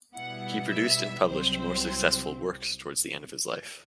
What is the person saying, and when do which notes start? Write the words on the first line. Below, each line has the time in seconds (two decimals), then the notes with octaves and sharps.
He produced and published more successful works towards the end of his life.
0.15 B2 G3 B3 E4 F#5
0.71 E5
1.26 C2 C3 F#3 C4 C5